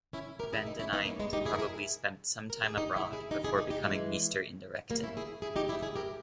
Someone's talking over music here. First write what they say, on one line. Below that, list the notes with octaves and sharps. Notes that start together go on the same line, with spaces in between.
Van den Eynde probably spent some time abroad before becoming "meester in de rechten".
C#4 E4
G4 A#4
E4 G#4
D#4 G4
C#4 E4
B3 D#4
A#3 C#4
G#3 B3
D#4 G4
E4 G#4
A#4
E4 G#4
A#4
G#4
D#4 G4
E4 G#4
E4 G#4
D#4 G4
E4 G#4
D#4 G4
D#4 G4
E3 G#3
G3 A#3
C#4 E4
E4 G#4
E4 G#4
D#4 G4
E4 G#4
E4 G#4
G4 A#4